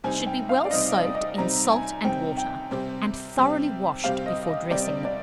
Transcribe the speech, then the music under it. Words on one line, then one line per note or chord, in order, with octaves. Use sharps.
Should be well soaked in salt and water, and thoroughly washed before dressing them.
C3 G3 C4 D#4 G#5
G5
F5
D5
C3 G3 C4 D#4 D#5
D5
D#5
C3 G3 C4 D#4 A#5
G#5
C3 G3 C4 D#4 G5
G5
C3 G3 C4 G4
C3 G3 C4 G4
C3 G3 C4 G4 F5
D#5
D#5
C3 G3 C4 G4 D5
D5
D5